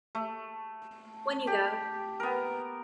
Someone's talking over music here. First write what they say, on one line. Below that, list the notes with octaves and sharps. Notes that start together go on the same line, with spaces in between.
When You Go!
A3
G4
B3 A#4